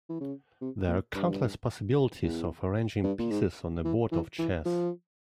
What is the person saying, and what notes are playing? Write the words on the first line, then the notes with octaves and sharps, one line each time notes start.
There are countless possibilities of arranging pieces on a board of chess.
E3
C#3
C3
A#2
G2
E2
G2
A#2
G#2
E3
E3
E3
F3